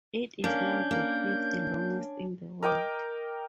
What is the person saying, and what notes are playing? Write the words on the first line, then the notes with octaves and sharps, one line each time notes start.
It is now the fifth longest in the world.
A#3 C#4 D4 G6
A#3
A#4 D#5 G5 D6